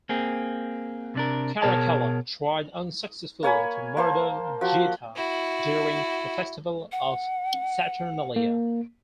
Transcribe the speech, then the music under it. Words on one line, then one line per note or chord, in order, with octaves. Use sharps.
Caracalla tried unsuccessfully to murder Geta during the festival of Saturnalia.
A#3 C4 G#4
C3 D4 A#4
B2 G#4 A#4 C#5 A5
A#3 C#5 G#5 B5
A#3 C5 A5
F3 F#4
E4 F#4
F#5
A#3